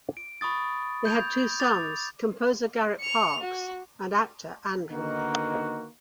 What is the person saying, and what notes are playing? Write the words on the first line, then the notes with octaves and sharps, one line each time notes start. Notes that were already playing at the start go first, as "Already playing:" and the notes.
They had two sons, composer Garrett Parks and actor Andrew.
D7
B5 C#6 D#6 A6
G6 G#6 F7
D6 A6 F7
C#7 F7
F#4
D3 D#3 A#3 B3 D#4 F#4